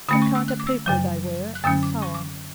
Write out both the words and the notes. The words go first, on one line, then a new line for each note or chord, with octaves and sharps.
What kind of people they were? and so on.
D3 A3 C#4 B5
C#6
E6
F#6
D6
E6
F#2 C#3 F#3
F#6
F#2 D3 F#3 C#4 E6
D6
C#6
D6